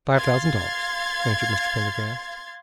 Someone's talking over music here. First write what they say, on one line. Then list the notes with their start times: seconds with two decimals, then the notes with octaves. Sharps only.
"Five thousand dollars," answered Mr. Pendergast.
0.17 F5 C6 G#6 A6